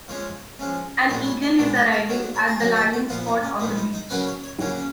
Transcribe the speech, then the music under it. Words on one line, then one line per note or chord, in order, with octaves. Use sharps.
An eagle is arriving at a landing spot on the beach.
F3 G#3 C#4 C#5
F3 G#3 C#4
A#2 G#3 B3 C#5
C#5
D#5
A#2 G#3 B3 C#5
B4
A#4
D#3 F#3 A#3 C#5
C#5
G#4
D#3 F#3 A#3 A#4
G#4
F#4
A#2 F3 B3 F4
D#4
C#4
A#2 F3 B3 D#4
D#4
D#4
C#3 F#3 A#3 C#4 B4
C#5
C#5
C#3 F#3 A#3 C#4 C#5
C#4